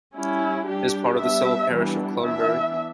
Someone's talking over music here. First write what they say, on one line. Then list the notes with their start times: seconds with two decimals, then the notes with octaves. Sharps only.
It is part of the civil parish of Clunbury.
0.15 G3 C#4 E4
0.67 G3 D4 G4
1.19 G3 B3 D4 E5
1.71 E3 G3 B3 D4
2.22 E3 B3 D4 E5